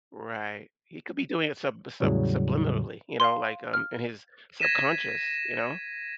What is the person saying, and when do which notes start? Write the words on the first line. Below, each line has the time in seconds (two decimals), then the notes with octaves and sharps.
Right. He could be doing it sub sub subliminally, you know, like, um, in his subconscious, you know?
2.00 E2 A2 C#3 F#3 G3
3.20 F5 C6
3.74 F6
4.60 G#6 A#6 B6 D#7 E7